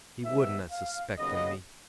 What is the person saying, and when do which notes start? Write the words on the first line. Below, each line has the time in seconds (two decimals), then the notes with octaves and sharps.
He would’n ha’ suspect’n me.
0.24 G#2 D#3 G3 B3 E5
0.71 F5
1.18 D#2 C#3 F#3 B3 D#5